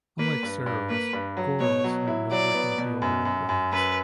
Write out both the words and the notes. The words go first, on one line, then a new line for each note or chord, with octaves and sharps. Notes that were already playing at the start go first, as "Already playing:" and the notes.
Unlike serows, gorals have no working preorbital glands.
A#3 B4
G2
G2
A#3 B4
G2
F#3
B2 C#5
F#3
E4
F#3 D5
B3
B2
F#2
F#2
F#2
F#2 B4